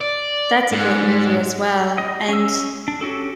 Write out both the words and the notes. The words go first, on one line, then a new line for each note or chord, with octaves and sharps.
That's a great movie as well and
D5
G#2
D#5
C#4 E6
D4
C#4 F#4 G4 A4